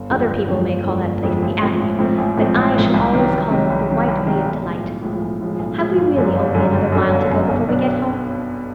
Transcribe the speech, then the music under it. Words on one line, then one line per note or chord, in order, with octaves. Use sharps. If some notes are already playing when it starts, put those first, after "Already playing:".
Other people may call that place the Avenue, but I shall always call it the White Way of Delight. Have we really only another mile to go before we get home?
Already playing: G1
F2 D3 F3 G#3
G1
F2 D3 F3 G#3
G1
F2 D3 F3 G#3
G1
F2 D3 F3 G#3
A1
G#2 F3 A3 C4
A1
G#2 F3 A3 C4
A1
G#2 F3 A3 C4
A1
G#2 F3 A3 C4
C2
C3 D#3 F#3
C2
C3 D#3 F#3
C2
C3 D#3 F#3
C2
C3 D#3 F#3
B1
A2 F3 G#3
B1
A2 F3 G#3
B1
A2 F3 G#3
B1
A2 F3 G#3
G1
F#2 D3 F#3
G1
F#2 D3 F#3
G1
F#2 D3 F#3
G1
F#2 D3 F#3
B1
B2 F#3 B3 D4